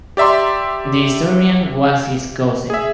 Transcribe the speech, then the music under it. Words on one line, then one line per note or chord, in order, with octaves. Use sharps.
The historian was his cousin.
G4 D5 E5 A#5 C6
G#4 E5